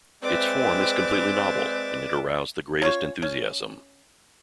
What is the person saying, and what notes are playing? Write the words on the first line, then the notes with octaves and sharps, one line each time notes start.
Its form is completely novel and it aroused the greatest enthusiasm.
G#3 C4 B4 D5 E5 D6
C#4 F4 C#5
C#4